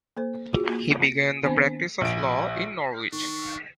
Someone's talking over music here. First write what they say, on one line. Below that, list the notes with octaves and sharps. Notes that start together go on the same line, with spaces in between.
He began the practice of law in Norwich.
A#3 A4 C5
F4 F#4 G#4
A#3
D#3 B3 C4 D4 C5 G#5
A#1 D7
D#3 D4 C#6